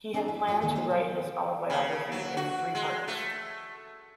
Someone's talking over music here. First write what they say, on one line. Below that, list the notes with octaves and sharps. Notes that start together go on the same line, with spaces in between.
He had planned to write his autobiography in three parts.
C4 D4 G#4 C5 D5 A#5
E4 E5
F4 F#4 G#4 A4 D5
D#2 G#2 D#3 A#3 D#4 A4
D#4 F4 A4 B4 C5
B2 F#3 A#3
C#3
F#3
F#4
G#3
A3